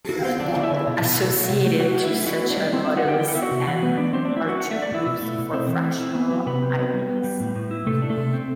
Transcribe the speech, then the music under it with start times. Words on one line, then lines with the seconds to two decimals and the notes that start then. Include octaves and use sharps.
Associated to such a modulus "m" are two groups of fractional ideals.
0.09 E4 F#4
0.24 B3 C4 C5
0.40 D3 D4 D5
0.54 D3 D5
0.63 E4 E5
0.71 D3
0.87 B2
1.02 B2
1.18 A3
1.33 F#3
1.49 C3
1.65 A3
1.80 F#3 F#4 F#5
1.96 F#3
2.03 E4 E5
2.11 A3
2.26 E4 F#4 F#5
2.42 B3
2.50 D4 D5
2.57 G3
2.73 C4 E4 C5
2.85 F#3 E4 E5
2.97 F#4 F#5
3.04 D3 G4 G5
3.20 E4 G5
3.28 F#5
3.35 B3 E5
3.42 F#4 F#5
3.51 C3
3.67 E3 F#4 F#5
3.82 E3 B3 B4
3.98 E3 D4 D5
4.13 F#3 C4 C5
4.25 A3 D4 D5
4.37 E4 E5
4.45 F#3 F#4 F#5
4.60 D4 F#5
4.71 E5
4.76 D4
4.82 D5
4.91 A2
4.94 E4 E5
5.06 B2
5.22 A3
5.38 B2
5.53 A3 C4 C5
5.68 E3
5.85 A3
6.00 E4
6.15 B3
6.31 F#3
6.47 C3 B3 B4
6.62 C4
6.78 F#3
6.94 G3
7.09 B3
7.24 G3
7.40 A2
7.56 A2
7.71 E4
7.87 C3 A3 A4
8.02 D4
8.10 A3 A4
8.17 C3
8.33 C4